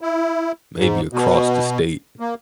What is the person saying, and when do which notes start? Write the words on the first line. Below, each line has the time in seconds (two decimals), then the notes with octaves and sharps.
maybe across the state.
0.01 E4
0.78 G#2
1.13 B2
2.20 A#3